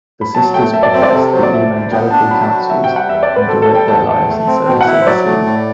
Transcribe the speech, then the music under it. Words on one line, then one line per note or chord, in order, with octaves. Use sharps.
The sisters profess the evangelical counsels and devote their lives in service overseas.
B5
F#3 A5
A3 G5
F#2 E5
D5
C4 E5
D5
C3 A4
F#3 C5
D5
D2 E5
D2
B3 G5
D4 A5
F#3 B5
A5
F#4
C3 E5
G5
G3
F#5
E2 E5
D5
C4
B4
B2 A4
A4
G3
G5
E2 A5
E2
A3
C4
B2 G5
F#5
E4
E5
C5
F#3 D5
A3
A2